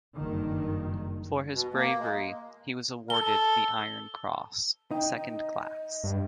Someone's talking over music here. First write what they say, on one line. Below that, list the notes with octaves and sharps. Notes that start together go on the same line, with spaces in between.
For his bravery, he was awarded the Iron Cross, second class.
F#1 G2 D#3
B2
A#3
G#3
A4 G7
D#4 G5
D#5
G2